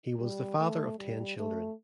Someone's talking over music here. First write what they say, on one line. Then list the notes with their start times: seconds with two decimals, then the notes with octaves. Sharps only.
He was the father of ten children.
0.20 G3
0.59 A3
0.99 G3
1.37 A3